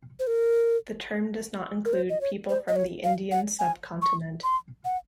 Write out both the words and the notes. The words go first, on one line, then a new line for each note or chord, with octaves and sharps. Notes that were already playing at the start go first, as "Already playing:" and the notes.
The term does not include people from the Indian subcontinent.
C5
A#4
A#4
C5
D#5
C#5
C5
D#5
C#5
F5
F#5
G#5
C#6
C6
F#5